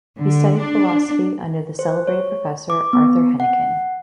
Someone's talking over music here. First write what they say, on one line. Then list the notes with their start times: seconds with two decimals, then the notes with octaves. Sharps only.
He studied philosophy under the celebrated Professor Arthur Hennequin.
0.19 D3
0.57 D4
1.79 C5
2.07 C#5
2.70 D6
2.93 B3
3.40 F#5